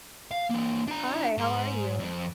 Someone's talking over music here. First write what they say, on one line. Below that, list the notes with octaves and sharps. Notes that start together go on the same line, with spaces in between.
Hi, how are you?
F5
E3 A#3
D4 A#5
G#2 C6
F2